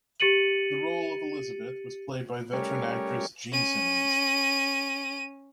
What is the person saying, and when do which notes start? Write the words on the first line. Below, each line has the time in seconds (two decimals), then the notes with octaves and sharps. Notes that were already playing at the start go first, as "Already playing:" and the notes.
The role of Elizabeth was played by veteran actress Jean Simmons.
0.20 G4 A6 C#7 D#7 F#7
2.53 G3 A3 C#4 G4 A#4 C#5
3.52 C#4 D#7